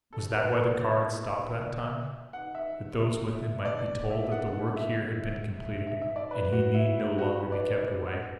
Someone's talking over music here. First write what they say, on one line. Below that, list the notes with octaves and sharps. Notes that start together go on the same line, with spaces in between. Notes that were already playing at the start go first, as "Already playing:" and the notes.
Was that why the car had stopped that time--that those with him might be told that the work here had been completed, and he need no longer be kept away?
A4
B4
E5
F#5
E5
D5
E5
E5
F#5
F#5
E5
E5
E5
D5
B4
F#4
E4
F#4
B4
D5
F#5